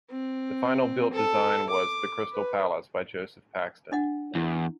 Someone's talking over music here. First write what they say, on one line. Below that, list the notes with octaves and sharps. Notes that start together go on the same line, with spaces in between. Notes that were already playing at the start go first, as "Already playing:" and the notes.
The final built design was "The Crystal Palace" by Joseph Paxton.
C4
A4
D6
B4
D4 D#5 F#5
E2 E4